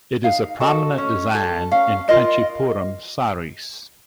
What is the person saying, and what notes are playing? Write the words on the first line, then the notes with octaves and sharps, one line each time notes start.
It is a prominent design in Kanchipuram saris.
D#4 F5
F#4 A4 D#5
C#4
A4
C#4 F5
F4 A#4 D#5